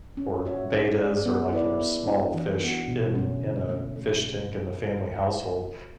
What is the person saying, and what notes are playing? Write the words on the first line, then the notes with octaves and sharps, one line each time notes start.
or betas or, like, you know, small fish in in a fish tank in the family household,
C#4
F#4 C#5 E5
C#4
G#4 D5
B3
E4 B4 D5
B3
D4 F#4
E3
B3 F#4
B2
A3 C#4
D3
A3 C#4
A3